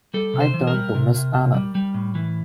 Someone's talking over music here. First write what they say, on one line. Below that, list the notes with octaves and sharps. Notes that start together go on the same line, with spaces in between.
I turned to Miss Allen.
G3 A4
C3
C5
E3
A#4
G3
C3
C3
C3
G3
G3
A2
E3